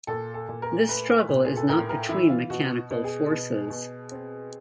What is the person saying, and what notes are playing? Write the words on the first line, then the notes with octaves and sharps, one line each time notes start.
This struggle is not between mechanical forces.
A#2 A4
A4
A#2
A#4
A3 B4
A#2
G#4
A4
A2 A#4
A#4
E3 E4
F4
B2 F#4
B2
G#4
B2
B2
C4